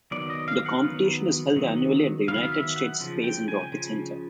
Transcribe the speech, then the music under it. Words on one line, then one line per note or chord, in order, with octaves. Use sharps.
The competition is held annually at the United States Space and Rocket Center.
D#3 F#3 B3 D5
D#5
F5
F#5
D#3 F#3 B3
D#3 F#3 B3
D#3 F#3 B3 F5
E5
F#5
C#3 F3
G5
G#5
C#3 F3